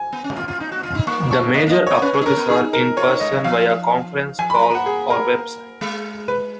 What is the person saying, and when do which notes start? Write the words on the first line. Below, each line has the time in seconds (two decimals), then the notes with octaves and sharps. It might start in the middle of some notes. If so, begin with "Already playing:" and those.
The major approaches are "in person", via "conference call" or "website".
Already playing: G#5
0.13 B3
0.24 C#4
0.36 F4
0.48 F4
0.60 D#4
0.72 F#4
0.83 F4
0.95 D#4
1.07 A#3 C#6
1.31 C#6
1.54 A#3 D#5
1.67 A#3 D#5
1.87 C#5
1.90 B3
2.02 C#4 B4
2.13 C#4
2.21 D#4
2.26 C#4 A#4
2.37 B3
2.49 D#4 G#4
2.73 A#4
2.97 F4 C#5
3.08 D#4
3.20 G#3 D#5
3.32 F#3
3.44 F3 F5
4.39 F3 G#5
4.50 B5
4.54 F#3
4.62 A#5
4.70 A#3 F#5
4.86 G#4
5.10 A#4
5.81 G#3
6.28 B4